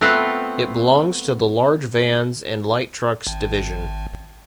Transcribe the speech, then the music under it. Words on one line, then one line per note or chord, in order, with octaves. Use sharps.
It belongs to the large vans and light trucks division.
A3 B3 C4 F4 F#5
G#1